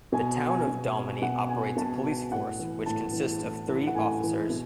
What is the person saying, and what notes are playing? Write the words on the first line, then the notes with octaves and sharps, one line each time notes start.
The town of Dalmeny operates a police force which consists of three officers.
B2 G#5
G#5
B2
B2 F#5
G#5
B2 A5
A5
A2 F#5
E3
A2 A5
E3
A2
E3
F#5
A2 G#5
E3
B2